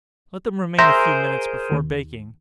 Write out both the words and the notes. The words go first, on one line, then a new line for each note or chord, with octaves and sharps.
Let them remain a few minutes before baking.
G#4 A#4 C5 E5 A#5 C6 G6
D#2